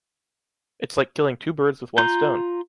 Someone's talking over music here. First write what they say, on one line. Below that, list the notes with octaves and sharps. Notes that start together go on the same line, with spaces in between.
It’s like killing two birds with one stone.
F4 A#5 G6